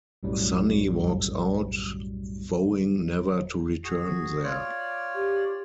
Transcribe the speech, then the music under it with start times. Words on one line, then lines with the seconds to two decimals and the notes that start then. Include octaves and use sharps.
Sonny walks out, vowing never to return there.
0.23 B1 F#2 A2 F#3 G3
3.84 F#4 G#4
4.44 F4 C#5 D5
5.15 G4